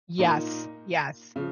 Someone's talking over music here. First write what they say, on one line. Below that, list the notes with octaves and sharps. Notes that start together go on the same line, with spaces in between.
Yes. Yes.
A#2 A#3 D#4
C#3 F3